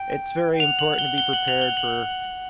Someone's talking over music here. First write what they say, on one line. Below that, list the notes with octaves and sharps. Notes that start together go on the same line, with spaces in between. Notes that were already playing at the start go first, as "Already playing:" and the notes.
it's very important to be prepared for,
Already playing: G5
G5
F#5 F7
F#7
G7
G7
F#7
F7
G7
F#7